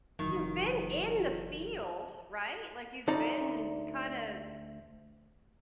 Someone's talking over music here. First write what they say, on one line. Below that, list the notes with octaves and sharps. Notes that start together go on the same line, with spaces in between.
You've been in the field, right? Like, you've been kinda
F#1 F#2 D#3 E3 F#3 D#4
D2 D#4 D5 A#5